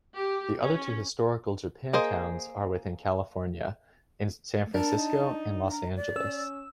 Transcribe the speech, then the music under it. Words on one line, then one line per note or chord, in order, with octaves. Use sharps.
The other two historical Japantowns are within California, in San Francisco and Los Angeles.
G4
C#4
A#3 G#4 C5 D#5
D4 A#4 A5
D#4
A#5
D5
C#4 E6